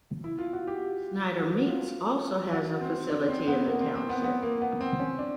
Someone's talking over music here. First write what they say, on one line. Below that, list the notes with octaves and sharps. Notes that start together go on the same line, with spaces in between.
Schneider Meats also has a facility in the Township.
E4
F4
F#4
G4
F#4
F4
F#4
C4
D4
C4
B3
A#3
C4
C4
B3
B3
A#3
B3
C4
C#4
D4